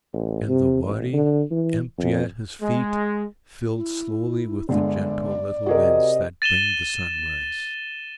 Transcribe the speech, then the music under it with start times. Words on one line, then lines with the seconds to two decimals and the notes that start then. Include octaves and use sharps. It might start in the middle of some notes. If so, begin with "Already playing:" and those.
And the Wadi, empty at his feet, filled slowly with the gentle little winds that bring the sunrise.
0.13 A1
0.48 C3
0.83 A1
1.13 D3
1.51 E3
1.98 F2
2.62 G#3
3.77 E4
4.69 G1 D3 G#3 D5
5.66 C3 F#4 G#4 A#4 D#5
6.42 A6 D#7 E7 G7